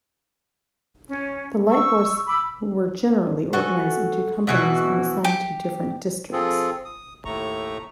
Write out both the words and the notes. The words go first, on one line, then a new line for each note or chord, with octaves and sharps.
The Lighthorse were generally organized into companies and assigned to different districts.
C#4
C#6 E6
B5 D6 E6
F#4 A4 G#5
B2 E3 F#4
G4
F3 C4 F4 G#4 A4
D#6
D#2 A2 A3 A#5 C#6